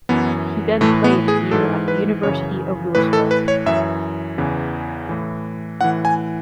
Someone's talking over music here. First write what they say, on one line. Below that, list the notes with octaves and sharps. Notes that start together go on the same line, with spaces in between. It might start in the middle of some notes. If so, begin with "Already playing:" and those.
He then played a year at the University of Louisville.
F#2 E3 B3
A2 E3 A3
B3
G#4
G#2 E3 A4
B4
F#2 C#3 E3 C#5
A2 E3 B4
A4
B4
C#5
F#2 E3 E5
E2 C#3 E3
A2 E3
A2 E3 F#5
G#5